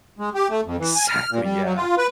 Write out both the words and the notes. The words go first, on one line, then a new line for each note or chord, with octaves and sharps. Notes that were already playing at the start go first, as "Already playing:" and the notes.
Exactly, yeah.
G#3
G4
A3
F2
E3
G#5
F6
A#2
G3
F#3
F4
B4